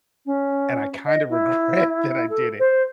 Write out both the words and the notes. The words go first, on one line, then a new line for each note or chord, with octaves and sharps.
and I kind of regret that I did it.
C#4
D#5
E4
A4
C5